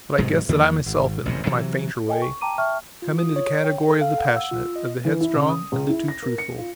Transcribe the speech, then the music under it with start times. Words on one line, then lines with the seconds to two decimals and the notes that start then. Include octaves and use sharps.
But I guess that I myself, in my fainter way, come into the category of the passionate, of the headstrong, and the too-truthful.
0.18 F1 G#2 B2 F#3
0.49 E2 D#3 F3 A#3
0.86 G#1
1.26 A1 F#2 C3
1.45 C3 E3 F#3
2.08 A4 D#5 G5 G#5
2.22 C#6
2.41 G5 A5 A#5 D6 D#7
2.58 E5 G5 A5 C#6 F6
3.02 F4
3.18 D#6
3.36 C#5
3.64 G5
3.88 A4
4.01 F5
4.18 F#5
4.36 E6
4.51 F4
4.76 D#5
5.05 E3
5.21 E4
5.35 C#3
5.49 D#6
5.72 C#2
5.89 E4
6.08 A#6
6.23 A#4
6.38 C#7
6.58 F4